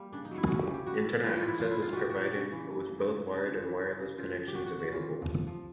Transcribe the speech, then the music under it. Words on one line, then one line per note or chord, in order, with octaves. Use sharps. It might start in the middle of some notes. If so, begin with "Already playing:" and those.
Internet access is provided, with both wired and wireless connections available.
Already playing: G3 A#3
C#3 D4
D#4
F#3
E4
C#3 F#4
G4
C#3
G4
G3 F#4
A2
E3 F4
F4
A2
E4
F3 F4
E4
A#2 F4
A#2 F#4 G4
F#4
A#2
G4
C#3 F#4
E3
E3
C#3
C#3
C#3
C#3 F4
E3
C#3
C#3
C#3 F4
F3
G4
C3 F#4
F#4
C3
F#4
E3 F4
C3
F3
F3